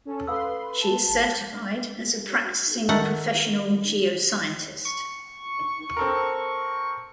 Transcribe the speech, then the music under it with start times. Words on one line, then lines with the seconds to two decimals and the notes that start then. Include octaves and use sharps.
She is certified as a Practicing Professional Geoscientist.
0.05 C#4 A4
0.27 A4 B4 F5 B5 C6 E6
0.81 A5
1.08 G#1
1.28 G6 A6
2.89 D#3 A3 F#5
4.85 C#6
5.97 C4 A4 A#4